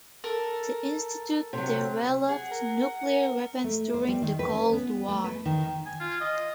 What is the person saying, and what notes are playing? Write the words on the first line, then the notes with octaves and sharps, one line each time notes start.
The institute developed nuclear weapons during the Cold War.
A4 A#4
C3 F#3
G#4 F#5
A#4
A#4
A3
C5
G3
D#3
B4
C#4
B3
A3
B4
D#3
G#5
F4
D#5